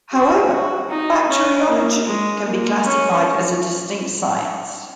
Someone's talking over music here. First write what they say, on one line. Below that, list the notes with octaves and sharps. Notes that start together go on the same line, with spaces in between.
However, bacteriology can be classified as a distinct science.
F#4
F#4
D#4
C#4
A#3
G#3
A#3
C#4